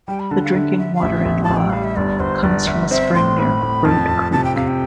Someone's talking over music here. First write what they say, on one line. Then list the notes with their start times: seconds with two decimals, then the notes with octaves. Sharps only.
The drinking water in Loa comes from a spring near Road Creek.
0.08 G3 G5
0.20 B5
0.31 D3 A5
0.43 F5
0.55 D3 E5
0.78 D3 E5
0.95 F5
1.02 A1 E5
1.25 A1
1.44 A5
1.49 A1
1.56 G5
1.70 G3 F5
1.84 E5
1.96 G1 D5
2.20 G1 C5
2.43 G1 D5
2.67 G1 E5
2.91 C4 E5
3.14 A2 C6
3.38 A2 B5
3.62 A2
3.85 F2 A5
4.08 F2
4.32 C3 A5
4.44 G5
4.56 C3 F5
4.68 G5